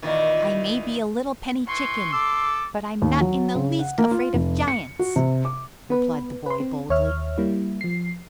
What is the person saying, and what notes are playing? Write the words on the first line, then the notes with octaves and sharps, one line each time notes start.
"I may be a little penny chicken, but I'm not in the least afraid of giants," replied the boy boldly.
A#2 D#3 E3
E3 C6 C#6
A4 D6 E6
D#2
F#3
C#3
F#5
A#3
F4
F1
C#7
F#4
C3
D6
B3 B4
B4 C6
C4
D#2 C#5 E5 F6
G3 A#3 E4
F3 C7